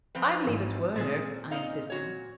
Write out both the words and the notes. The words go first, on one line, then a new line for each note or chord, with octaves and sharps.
"I believe it's Werner," I insisted.
F3 C4 B4
G#1 E3
A#2 G#3 C4 G#4 A4 A6
D#4 D#5 F5
F#4 C#5